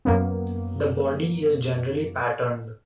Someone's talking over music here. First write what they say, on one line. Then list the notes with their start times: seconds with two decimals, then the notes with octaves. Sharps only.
The body is generally patterned.
0.05 F#2 A#3 B3